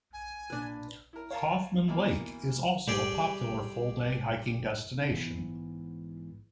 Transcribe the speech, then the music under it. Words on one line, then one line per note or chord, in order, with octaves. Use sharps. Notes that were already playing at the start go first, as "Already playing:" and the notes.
Kaufman Lake is also a popular full day hiking destination.
G#5
A#2 D4 B4
E4 A#4
C#5 F5 A5 A#5
B2 E3 A#3
G3 G4 G#4 D5
G#2 E3 B3